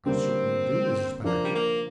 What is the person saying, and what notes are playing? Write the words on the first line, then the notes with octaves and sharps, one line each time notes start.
"I certainly do, Mrs. Packard."
D3 G3 A#3 C4
F3 A#3 D4 A#4 D5
G3
A#3